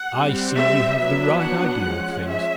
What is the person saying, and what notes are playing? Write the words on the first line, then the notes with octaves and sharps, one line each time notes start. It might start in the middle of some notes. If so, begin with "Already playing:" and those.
I see you have the right idea of things.
Already playing: F#5
G3 C4
E5
F#3 B3 D4 E5
F#5
F3 G#3 C#4
E5